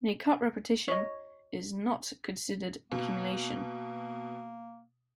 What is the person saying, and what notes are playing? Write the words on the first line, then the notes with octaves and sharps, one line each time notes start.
In a cut repetition is not considered accumulation.
C#5 D#5
B2 A#3